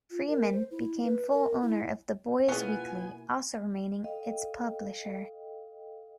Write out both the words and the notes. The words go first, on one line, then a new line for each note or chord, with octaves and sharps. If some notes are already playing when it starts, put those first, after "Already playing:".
Freeman became full owner of the "Boise Weekly", also remaining its publisher.
F4
A#4
C5
E4
B4
A#4
E4
B2 A#3 B3 C#4 E4 F4 G#4 G#5
A4 D#5 F5 G5